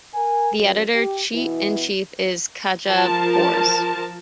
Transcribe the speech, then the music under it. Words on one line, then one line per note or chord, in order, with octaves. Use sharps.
The Editor in Chief is Katja Brose.
A#4 G#5
F#2 F#3
G4
B2 E3 B3 E4
F3 A#4 A5